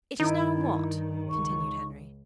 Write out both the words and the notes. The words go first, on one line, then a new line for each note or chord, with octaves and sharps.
"It is now what?" continued Henry.
G2 D#3 D#4 E4
C#2 C#6